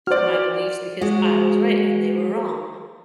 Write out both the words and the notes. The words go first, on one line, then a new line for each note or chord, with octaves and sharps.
for my beliefs because I was right and they were wrong.
F#4 C5 D5 F6
G#3 F#4